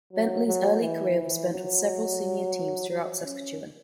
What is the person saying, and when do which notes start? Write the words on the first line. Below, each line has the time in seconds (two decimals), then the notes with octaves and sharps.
Bentley's early career was spent with several senior teams throughout Saskatchewan.
0.13 F#3
0.46 F#3
0.82 E3
1.51 F#3
2.89 F#3
3.24 C#4